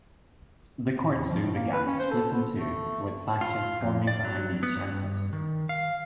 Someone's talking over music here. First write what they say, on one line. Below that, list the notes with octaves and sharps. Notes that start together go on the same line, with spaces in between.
The court soon began to split in two, with factions forming behind each empress.
A2
E2
F3
A2
A#3
B4
C#4
C5
A4
B3
A3
F4
F2
D5
F#3
B3
G2
D#3
F5